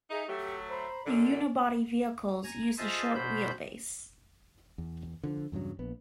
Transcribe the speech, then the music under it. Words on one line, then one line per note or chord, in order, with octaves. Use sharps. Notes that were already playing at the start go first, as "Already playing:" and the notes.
The unibody vehicles used a short, wheelbase.
D#4 G#4 E5
F#3 A3 G4
C5 A#5 B5
F#2 D3 D5
G#5 A#5
F4 G#4 C5 D#5 E5 A5
B2 C5 B5 G6
E2
D3 F3
E2 G2 C#3 F#3
A#1 B3